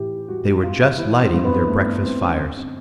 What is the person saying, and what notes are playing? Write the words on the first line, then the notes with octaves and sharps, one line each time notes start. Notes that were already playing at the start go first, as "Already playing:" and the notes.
They were just lighting their breakfast fires.
Already playing: A2 E3 G4
G3 F#4
B3 F4
E3 E4
C4
G2
B3
A3 B3
B3
G2 C4
C#4
D3
C4